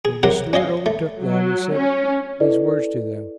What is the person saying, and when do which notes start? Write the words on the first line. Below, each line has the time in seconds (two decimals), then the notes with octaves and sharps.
So the steward overtook them and said these words to them.
0.05 G#4
0.23 C3 F#3 A#4 F#5
0.53 C#4 C#5 D#5 F5
0.86 A3
1.22 F#3
1.74 C#4
2.40 E4 A4 B4 D5 D#5